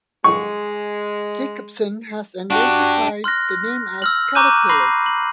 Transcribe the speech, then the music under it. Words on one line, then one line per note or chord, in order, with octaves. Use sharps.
Jacobsen has identified the name as "Caterpillar".
G#3 C#6
D4 F#4 G4
C6 F6 F#6 A#6
E6 F6 F#7
A#5 C#6 D6 F#6 G6 D#7
B5 C6 D6 A#6 C7
F#7